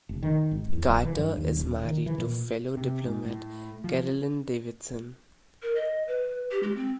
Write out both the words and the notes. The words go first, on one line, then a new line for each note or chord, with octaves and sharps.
Carter is married to fellow diplomat Carolyn Davidson.
F1
D#3
G#1
E2
B1
E3
G2
D#2
D#1
D#3
E3
A#2
C3
G#2
A2
F3
A#4
D#5
B4
G4
G#3
C4